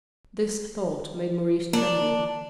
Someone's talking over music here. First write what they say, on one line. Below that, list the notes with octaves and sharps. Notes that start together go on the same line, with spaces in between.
This thought made Maurice tremble.
A#3 D4